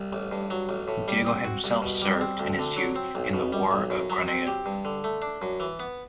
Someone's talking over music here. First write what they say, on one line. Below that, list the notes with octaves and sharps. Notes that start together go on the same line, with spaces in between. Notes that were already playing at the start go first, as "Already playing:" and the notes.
Diego himself served in his youth in the war of Granada.
Already playing: C2
A1
G2
F#3
A1
A2
G3
C4
F#4
C2
B2
G3
C4
D2
D3
F#3
C4
B1
B2
G3
B1
F#2
F#3
C4
G4
G2
D3
A3
D4
F#2
E3
B3